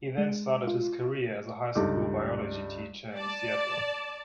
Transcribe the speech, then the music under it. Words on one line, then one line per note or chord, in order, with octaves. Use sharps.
He then started his career as a high school biology teacher in Seattle.
G#3
F4
C#2 G2 D#4 A4 D6
D5 A5